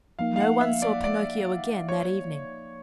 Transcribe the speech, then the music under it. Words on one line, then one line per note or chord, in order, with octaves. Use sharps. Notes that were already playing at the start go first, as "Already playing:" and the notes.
No one saw Pinocchio again that evening.
F3 A#3 D#4 F5
F5
F#5
E5
D5
D5
C#5